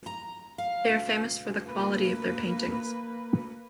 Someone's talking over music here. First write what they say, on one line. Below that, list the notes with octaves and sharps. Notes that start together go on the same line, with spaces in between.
They are famous for the quality of their paintings.
A#5
F5
A#3 B4